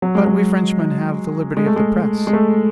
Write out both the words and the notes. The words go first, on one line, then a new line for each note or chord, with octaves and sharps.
But we Frenchmen have the liberty of the press.
F#3
G#3
F#3
G#3
A3
G#3
G#3
A3